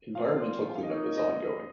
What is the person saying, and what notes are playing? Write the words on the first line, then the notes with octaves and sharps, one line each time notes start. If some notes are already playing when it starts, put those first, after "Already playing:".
Environmental cleanup is ongoing.
A#2 F3 C4 F4 F5
F5
F3 A#3 D#4 A#4 C#5 D#5
D#5